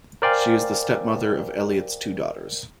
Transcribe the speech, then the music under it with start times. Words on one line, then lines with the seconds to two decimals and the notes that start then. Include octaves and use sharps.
She is the stepmother of Elliott's two daughters.
0.22 A#4 C5 D5 F5 G5 G#5